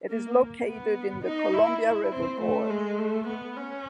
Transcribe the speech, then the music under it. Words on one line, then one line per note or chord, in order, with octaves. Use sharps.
It is located in the Columbia River Gorge.
A#3
B3
D#4
E4
E4
C4
A3
G#3
A3
B3
C#4